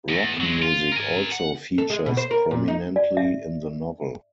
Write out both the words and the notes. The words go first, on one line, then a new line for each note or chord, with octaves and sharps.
Rock music also features prominently in the novel.
E2
F#3 G#3
F4
A#4 G#5
F#5
A4
G#3
B2
C5
A#4
A#2
D#4
D5
E5